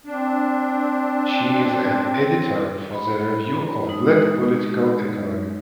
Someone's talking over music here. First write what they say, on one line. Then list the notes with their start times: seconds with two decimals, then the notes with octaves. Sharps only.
She is an editor for The Review of Black Political Economy.
0.06 C4 D4
2.94 B5
3.89 G#3 D#4